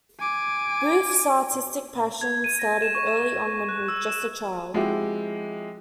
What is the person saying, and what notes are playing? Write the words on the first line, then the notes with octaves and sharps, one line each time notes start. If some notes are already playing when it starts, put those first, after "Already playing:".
Booth's artistic passion started early on when he was just a child.
G#5 D6
G#6
D#7
A#6
E7
C#6
E7
F#6
E6
E7
F3 G#3 C4 E4 F#4 G4